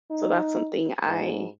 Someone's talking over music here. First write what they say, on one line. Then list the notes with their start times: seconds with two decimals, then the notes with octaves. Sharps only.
So that's something I
0.11 D#4
1.06 G#2